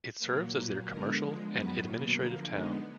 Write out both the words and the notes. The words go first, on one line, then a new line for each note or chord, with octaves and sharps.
It serves as their commercial and administrative town.
A#2 F#3 A#3 A#4
A#2 F#3 A#3 B4
D3 G#3 B3 A#4
D3 F3 G#3
F#2 D#3 F#3 B3 B4
B2 F#3 A#3
D3 F3 A#3 A#4
D3 G#3 B3 D#4